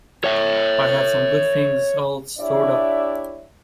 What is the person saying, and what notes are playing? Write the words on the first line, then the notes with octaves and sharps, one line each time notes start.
I had some good things all stored up.
C#5 E5
D4 E4 G4 C#5 D5 E5